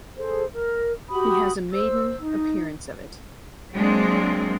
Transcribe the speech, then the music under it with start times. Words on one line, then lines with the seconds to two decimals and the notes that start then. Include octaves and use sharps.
He has maiden appearance of it.
0.16 G#4 A4 C5
0.51 A#4
1.10 F#4 G4 B5 D#6
1.73 C5 E6
2.18 D#4
3.73 F#3 G#3 A#3 C4 D4